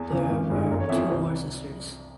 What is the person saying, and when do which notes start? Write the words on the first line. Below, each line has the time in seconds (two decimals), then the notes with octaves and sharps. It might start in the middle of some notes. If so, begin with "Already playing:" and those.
There were two more sisters.
Already playing: E2 G#4
0.11 C#3 E3
0.30 G#1
0.50 G2 E3 G#3
0.70 G1 A#4
0.80 C#5
0.89 F2 E3 E5
0.99 C#5
1.10 C2 C5